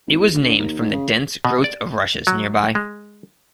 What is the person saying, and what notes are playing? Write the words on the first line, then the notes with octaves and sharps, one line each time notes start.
It was named from the dense growth of rushes nearby.
G#1
E2
D2
D3
D#2
G#2
C#3
B2
D5
F#3
G#3